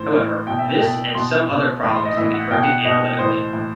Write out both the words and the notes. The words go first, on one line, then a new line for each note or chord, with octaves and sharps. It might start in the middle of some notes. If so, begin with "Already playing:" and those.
However, this and some other problems can be corrected analytically.
Already playing: A2 E3 C5
A2 E3
B2 G5
E5
G5
B2 A5
B2 C6
B2
A2 E3 B5
C6
D#5
A2 E3 E5
F#5
B2 G5
F#5
B2 D#5
A2 E3 C5
A2 E3